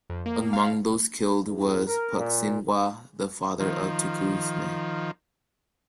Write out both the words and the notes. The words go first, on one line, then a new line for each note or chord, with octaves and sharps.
Among those killed was Pucksinwah, the father of Tecumseh.
F2
A#3
F5
E2
A#4
A#2
D#3 F3